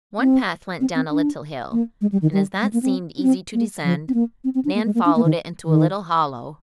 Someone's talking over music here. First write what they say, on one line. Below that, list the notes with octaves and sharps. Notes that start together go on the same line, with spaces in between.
One path went down a little hill, and as that seemed easy to descend, Nan followed it into a little hollow.
C4
C4
C4
D4
A#3
G#3
G3
D#3
G3
G#3
A#3
C4
D4
C4
A#3
F3
C4
A#3
C4
C4
D4
A#3
G#3
A#3
D4
A#3
D#3
D#3